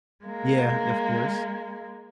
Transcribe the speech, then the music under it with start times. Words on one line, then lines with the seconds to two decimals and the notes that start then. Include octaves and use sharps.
Yeah. Yeah, of course.
0.25 G#3 A#3